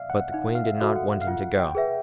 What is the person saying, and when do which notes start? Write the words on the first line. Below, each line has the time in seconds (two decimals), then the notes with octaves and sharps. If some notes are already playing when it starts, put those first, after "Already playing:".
But the Queen did not want him to go.
Already playing: D5 E5 F5
0.10 F#5
0.33 D#4 F#5
0.55 F5
0.64 E5
0.80 F#4 A4
0.96 F#5
1.21 F5
1.27 F4 F#5
1.59 G5
1.75 G#4 B4 E5